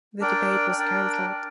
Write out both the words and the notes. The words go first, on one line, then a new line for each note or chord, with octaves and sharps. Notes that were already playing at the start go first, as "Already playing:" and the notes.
The debate was canceled.
D4 A#4 D5 G5
D4 A#4 D5 G5